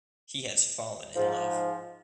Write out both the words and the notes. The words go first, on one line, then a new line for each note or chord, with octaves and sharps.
He has fallen in love.
G#2 F3